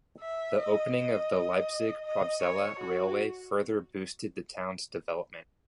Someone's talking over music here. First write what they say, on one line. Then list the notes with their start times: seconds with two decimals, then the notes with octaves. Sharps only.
The opening of the Leipzig-Probstzella railway further boosted the town's development.
0.21 E5
0.58 D#5
0.95 D#5
2.05 D#5
2.43 C#5
2.79 F#4